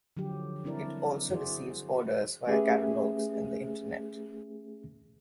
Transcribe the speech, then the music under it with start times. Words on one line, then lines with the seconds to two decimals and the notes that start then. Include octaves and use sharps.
It also receives orders via catalogs and the Internet.
0.17 D3 F3 F#3 G4
0.64 G3 C4 D4 E4 A#4 D5
1.29 E4 F#4 G#4 C5 D5
2.47 A3 C#4 G4 G#4 B4 E5